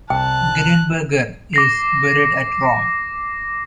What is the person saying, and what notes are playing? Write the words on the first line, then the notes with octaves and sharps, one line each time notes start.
Grienberger is buried at Rome.
C2 G5 A5 F#6
D6 A#6 C7